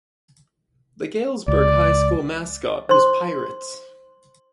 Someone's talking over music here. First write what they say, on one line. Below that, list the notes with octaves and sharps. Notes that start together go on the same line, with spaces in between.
The Galesburg High School mascot was Pirates.
C#2 D5
C5 C6